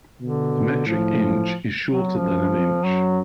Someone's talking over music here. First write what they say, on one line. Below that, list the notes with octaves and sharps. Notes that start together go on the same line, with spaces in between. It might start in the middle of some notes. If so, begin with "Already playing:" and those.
A metric inch is shorter than an inch.
B2 D3
A2 F3
F#3
F#2 F3
F2
F#2 F#3